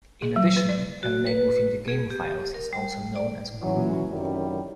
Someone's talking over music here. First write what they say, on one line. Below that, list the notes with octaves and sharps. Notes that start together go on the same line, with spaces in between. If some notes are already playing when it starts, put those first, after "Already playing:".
In addition, her name within the game files is also known as "Grue".
G#4
F#3
B4
D5
F#4
B4
G#4
G4
A#4
G3
D5
E3 F#3 C#4
F#2 A2 C3 D#3 F#3 G3